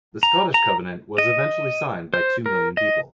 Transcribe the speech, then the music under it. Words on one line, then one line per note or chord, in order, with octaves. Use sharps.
The Scottish Covenant "was eventually signed by two million people".
A#5
A#5
D#5
C5
A#4
D#5